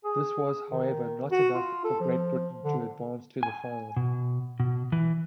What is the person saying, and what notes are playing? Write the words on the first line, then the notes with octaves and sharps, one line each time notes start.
This was however not enough for Great Britain to advance to the final.
G#4
D#3
F#4
F4
A4
F3
D3
G#5
B2
B2
E3